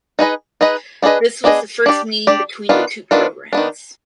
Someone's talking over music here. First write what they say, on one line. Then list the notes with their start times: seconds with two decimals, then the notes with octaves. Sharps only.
This was the first meeting between the two programs.
0.19 D#4 G#4 B4 D#5
0.61 D#4 G#4 B4 D#5
1.02 B3 D4 G#4 B4 D#5
1.44 B3 D4 G#4 B4 D#5
1.86 D4 G4 D5
2.27 D4 G4 D5
2.69 D#3 B3 D4 F4
3.11 D#3 B3 D4 F4
3.53 D#3 B3 D4